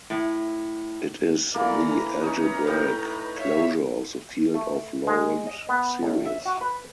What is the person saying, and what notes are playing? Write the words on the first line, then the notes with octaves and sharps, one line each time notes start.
It is the algebraic closure of the field of Laurent series.
A2
E3 A#3 A4 A#4 D5
B4 G#5 A#5
C#4 D#4
A2 G5
C#5 E5 F5
A3
G#3
D#5
B3
A1
E5
F#4
B4